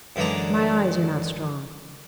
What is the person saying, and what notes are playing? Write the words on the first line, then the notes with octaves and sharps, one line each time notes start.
"My eyes are not strong."
F#2 D3 E3 G#3 D4 A#5